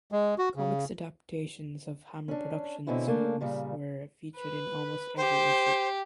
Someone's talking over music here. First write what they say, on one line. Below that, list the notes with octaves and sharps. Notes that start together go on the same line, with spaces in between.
Comics adaptations of Hammer Productions films were featured in almost every issue.
G#3
F#4
C#3
C#4 D4
B2 D3 C4 C#4 E4 F#4
C#3 A3 A#3 D4
A#2 C#3 G3
B4
G4 C5